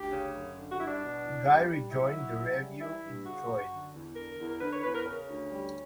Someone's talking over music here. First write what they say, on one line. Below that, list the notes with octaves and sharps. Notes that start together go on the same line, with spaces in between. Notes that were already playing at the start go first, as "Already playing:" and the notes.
Guy rejoined the revue in Detroit.
Already playing: D2 G4
C#3
F#2
D3
F#4
G2 E4
D4
B2
E2
G3
G3
F#3 E4
F#3
C#3
G3
E3 E4
G2
C#3 F#4
F#2
D3
E2
D3 A#4
E2
A#4
D3 B4
C#5
E2 B4
A#4
C#3 C#4
D2
G3